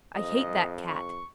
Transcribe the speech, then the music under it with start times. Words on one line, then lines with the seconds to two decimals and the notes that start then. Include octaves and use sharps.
I hate that Cat!
0.16 F2 D#5
0.88 C#6